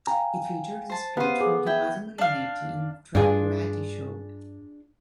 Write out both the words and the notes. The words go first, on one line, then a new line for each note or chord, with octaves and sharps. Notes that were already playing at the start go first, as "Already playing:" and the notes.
It features a speech from Tommaso Marinetti in the track 'Variety Show'.
F5 G5 G#5 A#5
C5 A5
B3 G4 C5 F5 D#7
G#4 A4 D6
E4 G5 G#6 G7
D4 F5
G2 D4 F4 G#4